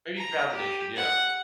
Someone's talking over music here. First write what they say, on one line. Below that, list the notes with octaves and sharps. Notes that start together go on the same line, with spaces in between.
Maybe validation, yeah.
A#5
G4
F#5